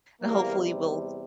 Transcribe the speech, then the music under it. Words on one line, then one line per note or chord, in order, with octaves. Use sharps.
and, hopefully, we'll
E2 C3 G3 A#3